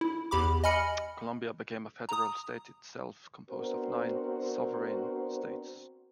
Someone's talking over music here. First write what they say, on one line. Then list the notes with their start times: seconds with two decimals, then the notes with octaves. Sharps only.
Colombia became a federal state itself composed of nine "sovereign states".
0.01 E4
0.31 E2 G4 B5 D6
0.64 D#5 G#5 B5 F6 C#7
2.09 A#5 D#6
3.51 B3 C4 D4 F#4 A#4 C5